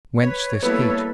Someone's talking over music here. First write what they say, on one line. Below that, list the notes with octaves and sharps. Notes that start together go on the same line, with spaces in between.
Whence this heat?
B4 C#5
G3 A#3 B3 E4 A4 B4 E6